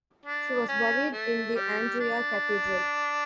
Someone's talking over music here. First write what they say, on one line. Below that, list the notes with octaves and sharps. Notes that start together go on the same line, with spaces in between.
She was buried in the Andria Cathedral.
D4
C#4
A3
G3
D4